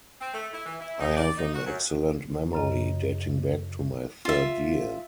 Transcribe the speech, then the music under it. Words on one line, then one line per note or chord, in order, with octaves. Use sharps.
I have an excellent memory, dating back to my third year.
C4
A3
E4
E3
E4
D#4
D5
D#4
F#4
F#2
F#2 C#3 D#5
F4 E5